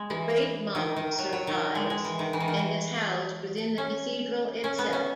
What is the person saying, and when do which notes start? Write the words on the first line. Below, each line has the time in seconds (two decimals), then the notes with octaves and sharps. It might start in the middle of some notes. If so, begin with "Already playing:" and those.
The Great Model survives and is housed within the Cathedral itself.
Already playing: G#3
0.10 E3
0.75 D#3
0.96 D#3
1.18 F#3
1.33 F#3
1.47 D#3
1.75 G#3
1.90 G#3
2.05 E3
2.19 D#3
2.33 E3
2.40 D#3
2.48 E3
3.78 C#4
4.64 C#4
4.78 B3
4.93 C#4